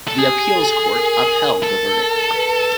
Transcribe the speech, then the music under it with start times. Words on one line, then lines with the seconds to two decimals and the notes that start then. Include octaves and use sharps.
The appeals court upheld the verdict.
0.08 A4
0.18 G4 G#4
0.55 A4
0.91 A#4
1.63 A4
2.35 B4